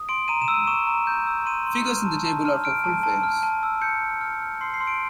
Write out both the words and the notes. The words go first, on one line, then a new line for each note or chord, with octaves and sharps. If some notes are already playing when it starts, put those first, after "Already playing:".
Figures in the table are for full fares.
Already playing: D#6
C6 D7
A#5 D#7
E7
E6
D#7
C#6 E7
A#5
G6
E6
C6 D#7
C6
F6
A5
A5
F6
F6 D7
A5
A5
F6
A5
E6
G6 C#7
A5
F6
F6
C6 C7
C7
C6
D7